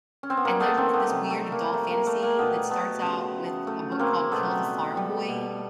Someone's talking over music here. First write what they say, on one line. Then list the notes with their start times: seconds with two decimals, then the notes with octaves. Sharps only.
and there's this weird adult fantasy that starts out with a book called Kill the Farm Boy,
0.23 C#4
0.30 C4
0.37 B3
0.45 G3 A#3
0.60 A3 B3
0.77 D#3 A#3 C4
0.93 A3 B3
1.09 C3
1.31 A3
1.41 G3
1.52 A#3
1.74 G3 A3
1.91 A#3
2.07 G3 A3
2.23 A#3
2.38 B2 A3 B3
2.70 B2 A3 B3
3.02 C#3
3.36 A3
3.67 F#3 A3
3.92 C#4
3.99 C#3 A#3 C4
4.32 B2 A3 B3
4.64 G3
4.97 G3
5.29 B2